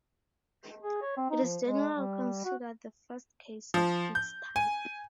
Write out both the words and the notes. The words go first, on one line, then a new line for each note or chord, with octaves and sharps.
It is generally considered the first case of its type.
G#4
C#5
C4
D#4
F3
G#3
G3
F#4
F3
G6
G#5